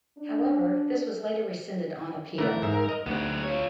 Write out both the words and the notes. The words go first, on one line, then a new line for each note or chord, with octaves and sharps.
However, this was later rescinded on appeal.
D4
E3 A3 B3 A#4
G#2 E5
D#5
D2 B3 G4
F4 C#5